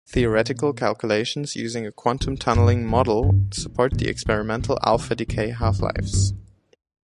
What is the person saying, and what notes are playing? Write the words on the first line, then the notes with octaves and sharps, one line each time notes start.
Theoretical calculations using a quantum-tunneling model support the experimental alpha-decay half-lives.
A#2
A2
G2
F#2
G2
A2
A#2
A2
A#2
C3
A#2
G2
A2
G2
G2